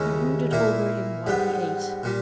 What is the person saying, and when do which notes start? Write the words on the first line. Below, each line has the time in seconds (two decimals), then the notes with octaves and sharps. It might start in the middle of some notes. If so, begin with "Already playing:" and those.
He brooded over him while he ate.
Already playing: D#2 C#3 G#3 C#4 E4
0.51 A#2 A#3 E4
1.27 G#2 G3 B3
2.03 A#2 G3